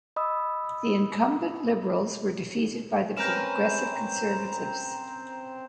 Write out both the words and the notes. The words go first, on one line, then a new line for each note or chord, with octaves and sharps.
The incumbent Liberals were defeated by the Progressive Conservatives.
D#5 B5 D#6 E6
C4 C#4 A#4 B4 A#5 G6 E7